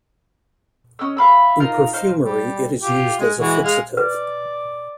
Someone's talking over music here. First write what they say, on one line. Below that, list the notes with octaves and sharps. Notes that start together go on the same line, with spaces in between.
In perfumery it is used as a fixative.
C#4 D#5 E6
E5 F5 B5 E6
D#4 F4 A#4 F5
D#4 C5 F5
G3
F4 G4
G#3
E3 G#3 F#4
G#3 F5
B4 D5